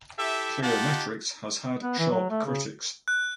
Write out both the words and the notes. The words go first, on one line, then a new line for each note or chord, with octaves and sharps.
Cliometrics has had sharp critics.
E4 G4 A4 E5
D#4 F4 G4 F#5 A5
B3
E3
F#3
A3
C#3
F#6